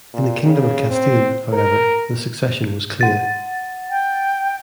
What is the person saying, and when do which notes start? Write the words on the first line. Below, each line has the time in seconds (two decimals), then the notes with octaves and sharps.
In the Kingdom of Castile, however, the succession was clear.
0.14 A#2
0.45 C#3
0.90 C4
1.53 A#4
3.01 F#5 A6
3.90 G5